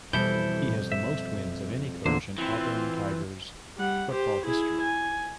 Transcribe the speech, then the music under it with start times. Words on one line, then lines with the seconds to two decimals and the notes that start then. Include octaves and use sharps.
He has the most wins of any coach in Auburn Tigers football history.
0.13 F2 B2 E3 G3 E4 A4 G6
0.92 E5
2.06 E2 A#2 D3 C5
2.38 E3 C4 F4
3.77 G3 F#5
4.11 G4 C5
4.46 E4 G#4
4.81 G#5